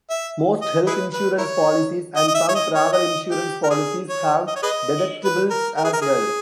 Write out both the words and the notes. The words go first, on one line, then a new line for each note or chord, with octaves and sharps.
Most health insurance policies and some travel insurance policies have deductibles as well.
E5
D#5
E4 G#4 B4
B4
E4 A#4 C#5
D#5
D#5
E5
C#5
D#5
C#5
D#5
G4
A#4
G#4
C#5
D#5
C#5
G#4 B4 D#5
B4
A#4
A#4
G#4
A#4
G#4